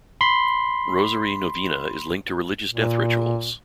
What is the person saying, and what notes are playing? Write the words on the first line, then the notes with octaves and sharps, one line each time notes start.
Rosary Novena is linked to religious death rituals.
B5 C6
A#2